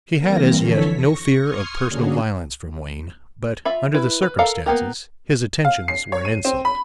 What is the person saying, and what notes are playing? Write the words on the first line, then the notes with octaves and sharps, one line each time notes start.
She had as yet no fear of personal violence from Wain; but, under the circumstances, his attentions were an insult.
E3 G3 A#3 C4 A#4 A#6
F2 D3 E3 A4 C#5 B6
C#6 A#6
C6 C#6 D#6 F6 G#6 C7
D3 A#3 C#4 D4 F#4 G#4
F4 E5 B5
E4 B4
B4
A4 A#4 F5 A#5
A#3 B3 G4 A#4
F5
C7
C#5
D#7
C4
B5